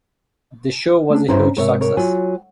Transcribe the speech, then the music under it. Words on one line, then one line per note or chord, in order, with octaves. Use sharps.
The show was a huge success.
A3 C#4 D4
G2 C#4 E4 C5 C#5 A#5
G#2 C3 A#4 C#5 E5
A#4 C#5
F#3 F4 G#5